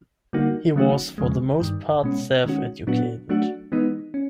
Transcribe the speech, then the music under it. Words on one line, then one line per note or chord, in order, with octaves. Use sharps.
He was for the most part self-educated.
D3 G3 A#3 D#4 F#4
D#3 F#3 A3 C#4 F#4
E2 C#3 F3 G#3
G2 D#3 G3
B2 G#3 C#4
D#3 G#3 C#4 F#4
A#2 F#3 B3 D4 F#4
F#3 A3 D4 F#4
E3 G#3 B3 D#4
C#4